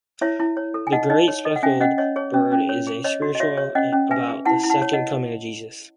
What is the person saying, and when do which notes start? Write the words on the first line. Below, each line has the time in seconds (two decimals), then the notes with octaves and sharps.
"The Great Speckled Bird" is a spiritual about the Second Coming of Jesus.
0.21 E4 C#5 E5
0.40 E4
0.57 C#5
0.74 A4
0.87 G#5
0.92 D#4 D#5 F#5
1.10 D#4 D#5
1.28 C#5
1.45 A4 D#5
1.56 F#5
1.63 C#4 E5 G#5
1.81 C#4 D#5 F#5
1.98 C#5 D#5
2.16 G#4 C#5
2.34 C#4
2.52 C#4
2.69 C#5
2.87 G#4
3.04 C#5 D#5
3.22 F#4
3.35 D#5
3.40 F#4 C#5 E5
3.57 C#5
3.75 C#4 D#5 F#5
3.93 C#4
4.11 B4 E5 G#5
4.28 G#4
4.45 E4 F#5 A5
4.63 E4
4.70 F#5 A5
4.82 C#5
4.93 D#5 F#5